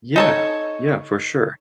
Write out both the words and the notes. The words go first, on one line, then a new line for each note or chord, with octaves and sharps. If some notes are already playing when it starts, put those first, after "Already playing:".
Yeah. Yeah, for sure.
D#4 A4 C#5